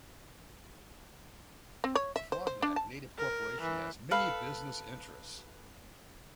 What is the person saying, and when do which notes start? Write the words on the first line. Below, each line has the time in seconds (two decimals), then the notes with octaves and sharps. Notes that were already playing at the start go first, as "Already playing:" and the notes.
Afognak Native Corporation has many business interests.
1.84 C4
1.95 C#5
2.16 E5
2.32 C5
2.47 C5
2.62 D4
2.76 A5
3.18 A#4
3.62 E3
4.11 A4 B4 F5